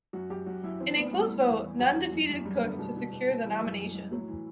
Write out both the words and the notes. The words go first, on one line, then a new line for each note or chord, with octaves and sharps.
In a close vote, Nunn defeated Cook to secure the nomination.
F#2 F#4
F#2 G4
F#2 F#4
F#2 E4
E3 C4
A2 B3
A2 G3
A2
E2
E3
E2 F#3
E2
F#2
F#2
F#2 G3
A3
D3
B3
B2 G3
B2
B2
B2
E3 G3
F#2
F#2
F#2
A2 F#3
E3